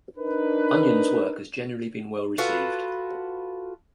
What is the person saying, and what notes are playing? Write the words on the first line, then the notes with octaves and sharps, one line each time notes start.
Onions' work has generally been well received.
D4 D#4 A#4 B4
F4 F#4 A4 B4